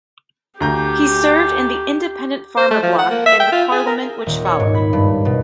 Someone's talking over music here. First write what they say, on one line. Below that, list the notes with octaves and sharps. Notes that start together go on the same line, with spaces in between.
He served in the Independent-Farmer bloc in the parliament which followed.
D2 G4 A#5 G6
C5
A3
F3
F#5
A#3
E5
G5
F4
G#4
A#4
D#1
C#5
G#2
B5
G2
B2